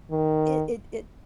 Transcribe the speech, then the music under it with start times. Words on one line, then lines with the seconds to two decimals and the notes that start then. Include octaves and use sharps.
it it it
0.11 D#3